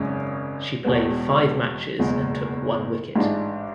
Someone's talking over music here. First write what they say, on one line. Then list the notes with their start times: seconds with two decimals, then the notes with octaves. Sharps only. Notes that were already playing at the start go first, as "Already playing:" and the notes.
She played five matches and took one wicket.
Already playing: G#1 F#2 C#3 G#3 C#4
0.84 E1 E2 B2 G#3 B3
1.99 F#1 E2 B2 G#3
3.15 A1 G#2 G#3 D4